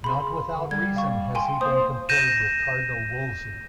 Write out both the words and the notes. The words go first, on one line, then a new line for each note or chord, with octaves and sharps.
Not without reason has he been compared with Cardinal Wolsey.
C#3 B5 C6
D3
G3 G#6
F5 C#6
G5 G#5 C6
A#3 C5 D#6
G6 A#6 D#7 E7